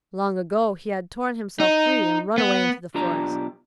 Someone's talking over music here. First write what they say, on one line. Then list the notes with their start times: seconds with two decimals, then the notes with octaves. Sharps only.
Long ago he had torn himself free and run away into the forest.
1.60 D#4
2.38 B3
2.94 B1 D4 F4 G4 D5 A#5